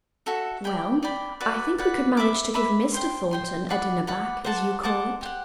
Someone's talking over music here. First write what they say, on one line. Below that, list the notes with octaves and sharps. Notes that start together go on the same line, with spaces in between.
'Well, I think we could manage to give Mr. Thornton a dinner back, as you call it.
F#4 A4 E5
D5 G5 B5
D5 G5 B5
F#4 B4 D5
F#4 B4 D5
B4 E5 B5 D6
B4 E5 B5 D6
C5 G5 C6
C5 G5 C6
D5 F#5 B5
D5 F#5 B5
C5 F#5 A5 D6
C5 F#5 A5 D6
G4 C5 F#5